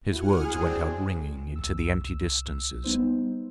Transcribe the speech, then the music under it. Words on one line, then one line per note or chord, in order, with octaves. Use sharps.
His words went out ringing into the empty distances.
E4 F#4 F#5 G#5 F6
C4 D4 G#4
C2 E6
G3 B3 D#4 C5